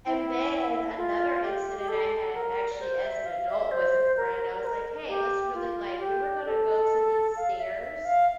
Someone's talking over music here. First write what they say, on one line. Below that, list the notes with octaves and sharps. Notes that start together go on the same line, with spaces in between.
And then another incident I had, actually as an adult with a friend, I was like, "Hey, let's really, like" we were going to go to these stairs.
E4
F4
G4
G4
A4
A#4
D5
C5
E5
F5
E5
C5
A#4
C5
A#4
G4
F4
G4
A4
F5
E5
E5
F5